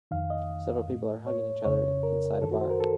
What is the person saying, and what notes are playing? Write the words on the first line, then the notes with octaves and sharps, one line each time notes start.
Several people are hugging each other inside a bar.
F2 D#3 F5
D#5
A2
C#5
F2 C#3 C#5
A#4
F#2 D#3 A4
F#4
C5
A#4
A4